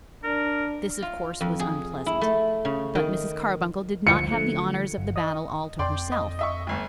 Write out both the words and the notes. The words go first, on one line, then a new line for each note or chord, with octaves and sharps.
This, of course, was unpleasant; but Mrs. Carbuncle did not have the honours of the battle all to herself.
D4 A#4
F4
F2
G#4
E4
A3
C#3
D#3
D2 F3 C#7
D3 F3 A3
G1
D#5 D#6
F2 D5 G5 C6
D#5
D#5 E5 C#6
G1 D2